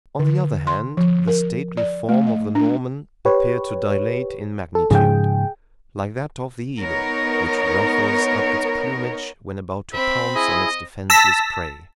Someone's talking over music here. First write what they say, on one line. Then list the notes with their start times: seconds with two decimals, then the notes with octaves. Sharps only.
On the other hand, the stately form of the Norman appeared to dilate in magnitude, like that of the eagle, which ruffles up its plumage when about to pounce on its defenceless prey.
0.19 D3
0.67 C6
0.97 F3
1.28 A#4
1.77 D5
2.09 A3
2.27 D#5
2.55 D4
3.25 G4 B4 C#5
4.75 A4
4.91 G#2 C#3 F3 G#4 G5
6.79 B3 D#4 A#4 C#5
9.92 C4 E5 B5
10.35 E4 G#4 D#5
11.10 A5 E6 A#6 B6